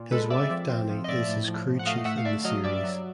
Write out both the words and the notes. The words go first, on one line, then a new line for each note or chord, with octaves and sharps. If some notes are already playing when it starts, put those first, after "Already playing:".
His wife Dani is his crew chief in the series.
Already playing: A#2
G#3 A4 B4
C4 D5 E5
F3
C4
F3
D#5
A2 D5 E5
A2
F3
A2
F#5
A3 D#5 F5
A3 E5 F#5
F5
D3 D5 E5
F#3 D#5 F5
G2 D5 E5
F#3